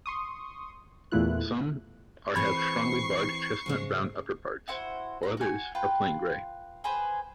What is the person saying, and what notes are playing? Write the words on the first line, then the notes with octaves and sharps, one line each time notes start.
Some are have strongly-barred chestnut-brown upperparts, while others are plain grey.
C6 C#6 D#6
E2 A#2 A3 E4 F4 F#6
E3 C4 G#4 B5 C#6 C7
G#2 C#3 G#3
E4 F#4 C5 F#5
A#5
F#4 G#5
F4 B4 G5
G#4 B4 C5